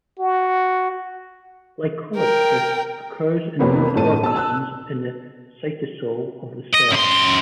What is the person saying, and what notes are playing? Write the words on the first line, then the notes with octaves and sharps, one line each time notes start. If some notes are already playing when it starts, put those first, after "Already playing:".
Glycolysis occurs in most organisms in the cytosol of the cell.
F#4
A#4 G5
F2 C3 A#3 B3 C#4
G1 A2 A3 C4 A5 D#7
A5 E6
A5 E6 F#6
D#5
F#2 C6